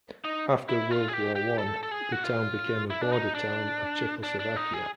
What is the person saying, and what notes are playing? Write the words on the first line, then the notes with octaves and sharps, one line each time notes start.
After World War One, the town became a border town of Czechoslovakia.
D#4
E4
F4
G#4
G4
G4
A4
A4
G#4
F#4
F4
E4
D4
D#4
D4
D4
D4
D#4
G#4